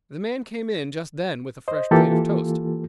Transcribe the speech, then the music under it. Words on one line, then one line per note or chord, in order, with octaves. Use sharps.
The man came in just then with a fresh plate of toast.
C5 D#5
E3 A#3 F4 G4 A4